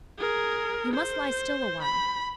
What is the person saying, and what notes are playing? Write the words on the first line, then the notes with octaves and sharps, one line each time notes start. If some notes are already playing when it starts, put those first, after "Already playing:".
You must lie still awhile.
G#4 A#4
C5
B5